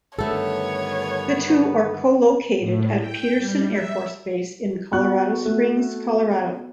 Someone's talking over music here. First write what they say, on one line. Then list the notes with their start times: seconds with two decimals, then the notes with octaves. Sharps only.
The two are co-located at Peterson Air Force Base in Colorado Springs, Colorado.
0.19 G2 D3 D#3 A3 B3 A4 C#5
2.59 A2
2.99 G5
3.37 G3
3.70 E5
4.93 B3 F#4 C#6 F#6
5.46 A3